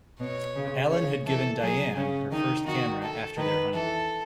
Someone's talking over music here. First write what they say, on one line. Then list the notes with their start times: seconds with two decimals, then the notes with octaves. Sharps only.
Allan had given Diane her first camera after their honeymoon.
0.20 B2 C#5
0.56 C#3
0.91 C#3 C#5
1.26 E3 A4
1.62 F#3 G#4
1.97 C#3 C#4
2.31 D#3 D#4
2.67 D#3 F#4
3.02 A4
3.38 D#3 B4
3.73 E3 A4